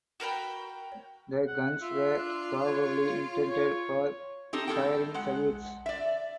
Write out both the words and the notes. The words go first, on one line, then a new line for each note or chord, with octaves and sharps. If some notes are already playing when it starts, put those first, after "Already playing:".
The guns were probably intended for firing salutes.
F#4 A#4 G5 B5
F#5
F4 E5
D4
C#5
C#5
C4 D#4 G4 A4
A2 C#4 A4 G5
G#3 F#5
D5 E5